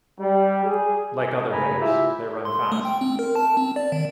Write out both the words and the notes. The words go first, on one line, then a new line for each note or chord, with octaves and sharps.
Like other hares, they run fast.
G3
G#4
C#3 A3 G#5 A#5 B5
E4 F4 G4 E5
C6
A3
G5
C4
A#4
A5
C4
D5
D#3